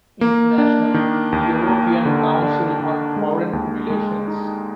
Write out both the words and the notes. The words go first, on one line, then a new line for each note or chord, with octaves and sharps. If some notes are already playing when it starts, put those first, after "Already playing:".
International: European Council on Foreign Relations.
A#3
D4
D#3
D#2
A#3
D3
D4
D3
G#3
D#2
G#3
D#4